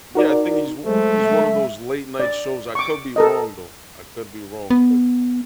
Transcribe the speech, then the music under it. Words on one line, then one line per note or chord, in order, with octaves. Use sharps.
Yeah, I think he's o he's one of those late-night shows, I could be wrong, though, I could be wrong, but
D#4 F#4 A#4 D5
F#3 G#3 A3 C5
E5
D5
C#6 D6
A4 A#4 D#5
B3